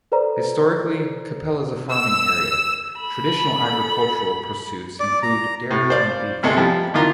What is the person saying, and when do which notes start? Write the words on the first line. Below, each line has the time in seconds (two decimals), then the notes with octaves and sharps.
Historically, Capel is a farming area; traditional agricultural pursuits include dairy and beef.
0.12 A4 B4 C5 D5 A#5
1.90 E6
2.99 A4 B5
5.00 D5
5.23 A#5
5.71 A2
5.90 C5 D5 F5
6.43 C#2 C3 G#3 A3
6.57 F3 G3
6.94 D#3 E3 F4 A#5